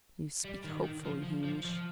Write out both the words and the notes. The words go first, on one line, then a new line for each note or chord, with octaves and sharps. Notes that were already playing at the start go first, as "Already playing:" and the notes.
"You speak hopefully, Hamish."
G3
D#3
D#3
F3
F3
F3
F3